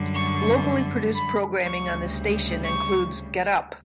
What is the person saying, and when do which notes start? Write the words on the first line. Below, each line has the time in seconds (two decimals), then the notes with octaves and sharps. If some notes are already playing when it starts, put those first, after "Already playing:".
Locally produced programming on the station includes Get Up!
Already playing: F#2 D3 G3
0.15 C#6
1.14 B5
1.64 D2 C#3 G3 C#6
2.64 C#6